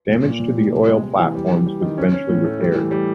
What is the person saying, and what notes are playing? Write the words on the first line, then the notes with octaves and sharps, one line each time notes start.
Damage to the oil platforms was eventually repaired.
A#2
A#2
A#2
G3
C3
G#3
G#3
E3
G3
G3
G3
D#3
C#4
C#4
A2
A3
G3
E3
G3